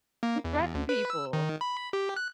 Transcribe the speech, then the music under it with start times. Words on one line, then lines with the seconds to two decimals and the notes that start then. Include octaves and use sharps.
to threaten people?
0.23 A#3
0.44 E2
0.74 D2
0.89 B4
1.10 E6
1.33 D#3
1.61 B5
1.93 G4
2.16 F#6